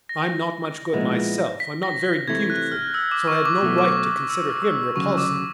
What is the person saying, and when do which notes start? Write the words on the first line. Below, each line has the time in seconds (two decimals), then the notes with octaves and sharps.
I'm not much good myself, I'm not very beautiful, so I had no right to consider him repulsive.
0.09 A#6
0.93 A#2 F3 G#3 B3 E4
1.60 B6
1.83 A#6
2.28 C3 E3 A3 G#6
2.50 F#6
2.72 F6
2.94 E6
3.11 D6
3.27 C#6
3.45 D6
3.62 B2 F#3 A3 D6
3.78 D6
3.83 C#6
4.06 D6
4.29 E6
4.62 D6
4.96 D2 C#3 F#3 C#6
5.18 D6